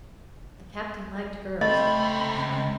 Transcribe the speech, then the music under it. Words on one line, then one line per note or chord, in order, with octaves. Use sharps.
The Captain liked girls.
C#2 C3 A3 D#5 B5